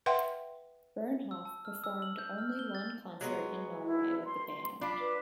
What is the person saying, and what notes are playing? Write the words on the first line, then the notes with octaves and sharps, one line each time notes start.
Bernhoft performed only one concert in Norway with the band.
B4 E5 F#5 G5 C6
E6
A5
F6
E6
F#7
G6
F6
G7
A6
F#3 G#3 B3
E4
C6
D4 F4 B5
B4